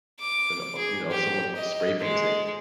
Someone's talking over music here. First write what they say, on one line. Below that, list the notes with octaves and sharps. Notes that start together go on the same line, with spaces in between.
and, uh, you know, someone spray painting.
D6
G#4
G4
D#5
G#3